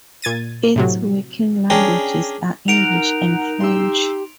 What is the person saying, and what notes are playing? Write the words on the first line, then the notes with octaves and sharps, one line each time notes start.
Its working languages are English and French.
A#2 G#6 A6 D#7
A2 C3 F#3
C#4 D4 G#4 A#4 G5
D#4 A#4 F#5 D7 F7
G4 C6 E6